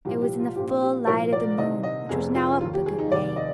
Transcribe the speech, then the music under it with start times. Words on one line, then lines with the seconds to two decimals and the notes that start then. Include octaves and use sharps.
It was in the full light of the moon, which was now up a good way.
0.05 C2 A#2 F3 G4
0.22 G4
0.39 F4
0.56 A#1 A#2 F3 G4
0.82 G4
1.07 C2 A#2 F3 A#4
1.33 D5
1.58 C2 C3 D#3 D#5
1.83 D#5
2.09 F1 F2 C3 G#4
2.35 F4
2.60 D#3 F4
2.65 D#2
2.74 G4
2.86 G#4
2.99 D#4
3.11 F1 D#2 D#3 D5
3.36 D#5